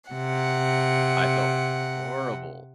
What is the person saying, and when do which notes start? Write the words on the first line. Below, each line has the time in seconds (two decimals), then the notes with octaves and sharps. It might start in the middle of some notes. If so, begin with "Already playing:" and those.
I felt horrible.
0.11 C3 F#5